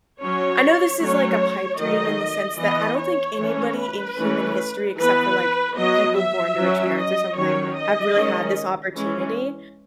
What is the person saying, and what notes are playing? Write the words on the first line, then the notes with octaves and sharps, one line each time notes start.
I know this is like a pipe dream in the sense that I don't think anybody in human history except for, like, people born to rich parents or something have really had this opportunity,
F#3 C#4 C#5
F#3 A3 C#4 C#5
D#3 F#3 A3 D#5
E3 B3 D#5
C#5
E3 A3 C#4
B4
E3 A3 C#4
E3 B3 B4
F#3 B3 D#5
E5
F#3 C#4
D#5
D#3 F#3 C#4 C#5
D#5
D#3 G#3 C#4
E3 G#3 C#4